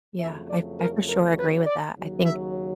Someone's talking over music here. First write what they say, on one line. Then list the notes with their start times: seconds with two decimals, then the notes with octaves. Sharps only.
Yeah. I I for sure agree with that. I think
0.19 F2 C#3 F#3 A3 E5
0.48 D5
0.78 A#4
1.07 A#4
1.37 B4
1.66 D5
1.96 D#2 C#3 F#3
2.25 E5